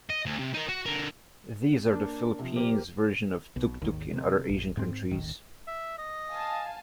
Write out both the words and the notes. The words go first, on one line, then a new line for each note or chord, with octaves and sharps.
These are the Philippines' version of tuk-tuk in other Asian countries.
D#5
D2
C3
D#4 A#4
F#4
D3 A#4
A#3 D4
C3 F3
A#3 G4 C5
B1 B2
G#1 D#2 D#3
C3
A1
G#2 C4
D#1 A1 D#3
E5
D#5
F5 G#5 A5